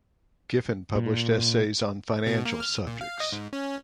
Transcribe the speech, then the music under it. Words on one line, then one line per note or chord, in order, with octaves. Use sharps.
Giffen published essays on financial subjects.
A#2
B2
A#3
F6
A#2
F5
D#5
G#2
C#4